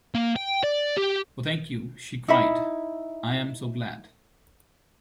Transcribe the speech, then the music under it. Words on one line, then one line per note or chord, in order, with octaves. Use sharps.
Oh thank you! she cried. I am so glad!
A#3
G5
D5
G4
D#4 E4 E5 B5